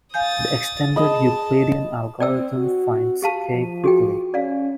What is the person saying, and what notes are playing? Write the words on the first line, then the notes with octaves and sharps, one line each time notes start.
The extended Euclidean algorithm finds "k" quickly.
F5 G#5 D#6 G6 A6
G#4 D#5 A5 B5
C4 D5 G5 E6
F#4
G4 F5 A5
F3
F#4 G#4 G5
C#4 D5 F5